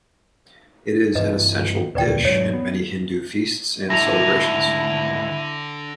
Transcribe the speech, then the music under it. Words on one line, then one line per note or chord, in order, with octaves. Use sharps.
It is an essential dish in many Hindu feasts and celebrations.
G2 E3 B4 D#5
E1 D2 A#2 B4 D5 G5
G#2 F#3 C#5
B3
D2 G#2 D3 E4 A#6 F7